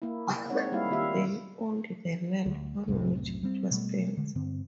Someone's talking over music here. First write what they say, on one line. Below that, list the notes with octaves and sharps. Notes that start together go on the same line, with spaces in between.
They owned the land on which it was built.
A#3 E4
G#3 C4 D#4 C#5 F#5
G3 A#3 E4 G4 E5 F5
D#3 A#3 F4 G4 E5 F5
D2
C2 F#2 A2 C3
G3 C4
B2 G3 A3
D3 G#3
G2 D3 C4